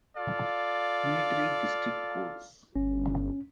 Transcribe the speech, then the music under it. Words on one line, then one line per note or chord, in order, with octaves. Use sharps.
Military District Courts.
F4 A4 D5 F5
G1 C#4